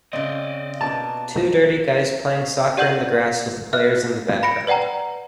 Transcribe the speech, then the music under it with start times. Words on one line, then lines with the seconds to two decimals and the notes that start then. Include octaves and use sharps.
Two dirty guys playing soccer in the grass with players in the background.
0.13 C#3 C4 D5 D#5
0.81 B2 A#3 C#4 A5
2.77 G4 D5 F#5 G6 D#7 F#7
3.73 E5 F6 F#6
4.43 B5 A#6 C#7 D7
4.67 B4 D5 F#5 G5 A#5